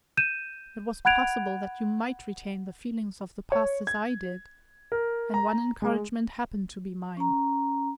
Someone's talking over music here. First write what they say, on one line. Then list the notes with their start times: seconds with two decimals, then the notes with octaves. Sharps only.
It was possible that you might retain the feelings of the past, as I did; and one encouragement happened to be mine.
0.17 G6 D#7 E7
1.05 F#5 B5 F#6 G#6 D7 F7
3.52 C#5
3.87 G#6
4.92 A#4
5.34 A#5
5.82 G#3
7.17 C#4 A#5